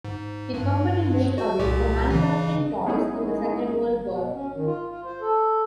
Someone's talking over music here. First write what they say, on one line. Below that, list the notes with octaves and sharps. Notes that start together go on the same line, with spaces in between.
The company moved away from manufacturing toys in the Second World War.
G#2
G2
F#4
C2 A#2 G4
C#3 E3
G#3 B3 C#4 D#4 E4 G#4
B2
C#4
D#3
F4
F4
C5
A4